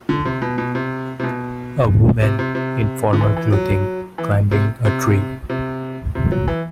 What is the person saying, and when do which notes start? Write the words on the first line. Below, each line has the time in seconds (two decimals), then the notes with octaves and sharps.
A woman in formal clothing climbing a tree.
0.09 D3
0.25 C3
0.42 B2
0.58 B2
0.75 C3
1.20 C3
1.23 B2
2.22 C3
2.39 C3
2.55 C3
3.13 D3
3.21 E3
3.37 E3
3.53 F#3
4.18 E3
4.51 C3
4.85 C3
5.49 C3
6.15 C3
6.32 F#3
6.48 E3